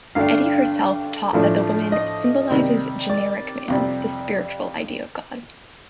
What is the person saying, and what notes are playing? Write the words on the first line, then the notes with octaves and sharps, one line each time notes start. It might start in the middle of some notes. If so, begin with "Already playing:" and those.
Eddy herself taught that the woman "symbolizes generic man, the spiritual idea of God".
G2 D3 A3 D4 F5
A2 F3 A3 D4
D#5
C3 D#3 G3
D5
F2 C3 G3